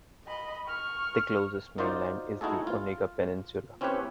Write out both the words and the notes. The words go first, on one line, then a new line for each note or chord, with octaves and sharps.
The closest mainland is the Onega Peninsula.
D#5 B5
C#6 F6
D#4 F4 F#4 C5 D5
D#4 E4 F#4 G#4 A4
F4
C4 C#4 E4 G4 B4 C#5